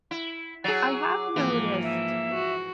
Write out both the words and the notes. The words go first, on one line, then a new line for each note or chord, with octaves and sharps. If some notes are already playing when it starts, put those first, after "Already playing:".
I have noticed
E4
F#3 G#4 A6
D6
G#2 E3 F3 A#3
E5
F#4